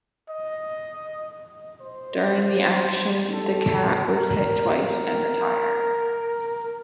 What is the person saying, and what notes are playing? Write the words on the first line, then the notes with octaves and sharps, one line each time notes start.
During the action, the 'Cat' was hit twice and retired.
D#5
C5
A4
A#4
A#4